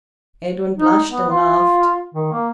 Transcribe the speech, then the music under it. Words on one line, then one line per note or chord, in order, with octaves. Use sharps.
Edwin blushed and laughed.
D#4
B3
F4
D#3
A#3